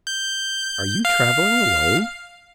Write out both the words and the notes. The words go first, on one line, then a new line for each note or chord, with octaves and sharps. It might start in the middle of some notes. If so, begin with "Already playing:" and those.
"Are you traveling alone?"
G6
F5